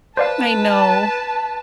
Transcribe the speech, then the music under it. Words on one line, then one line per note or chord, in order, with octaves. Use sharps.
I know.
B4 C5 D5 F5 A5